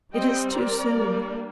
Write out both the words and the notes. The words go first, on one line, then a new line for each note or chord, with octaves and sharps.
It is too soon.
G3 C4 D#5 G5
A#4 D5
G3 A#3 D4